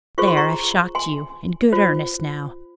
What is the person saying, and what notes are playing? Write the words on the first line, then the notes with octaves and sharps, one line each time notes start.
There, I've shocked you in good earnest now.
F4 G#4 C5 C#6
C6
A#5 C#6
G#5 C6
F4 C5